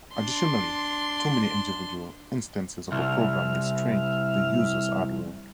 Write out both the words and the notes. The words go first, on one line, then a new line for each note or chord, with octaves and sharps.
Additionally, too many individual instances of a program may strain the user's hardware.
D4 C6
C2 E5 F6